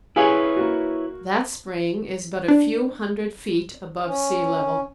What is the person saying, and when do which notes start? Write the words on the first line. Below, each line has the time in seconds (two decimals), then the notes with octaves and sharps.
That spring is but a few hundred feet above sea level.
0.16 E4 G#4 B4 C#5 F5 G#5
0.57 A#3 F#4
2.48 D4
4.07 C#4